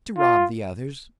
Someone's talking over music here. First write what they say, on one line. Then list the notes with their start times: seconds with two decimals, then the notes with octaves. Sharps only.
"To rob the others."
0.18 F4